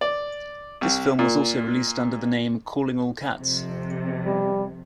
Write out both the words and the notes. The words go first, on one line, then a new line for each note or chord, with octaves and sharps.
This film was also released under the name 'Calling All Cats'.
D5
C2
A#2
F2 C3
G3